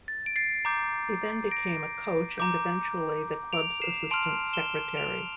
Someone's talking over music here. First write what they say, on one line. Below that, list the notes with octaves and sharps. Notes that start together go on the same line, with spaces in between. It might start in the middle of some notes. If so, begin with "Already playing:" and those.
He then became a coach and eventually the club's assistant secretary.
A6
D7
A6 C7
A#5 D6 G6
A#6 D7
A#5 D6 G6
D7 F7
C7 E7
A5 C6 F6 D7 F7
E7 G7
D7 F7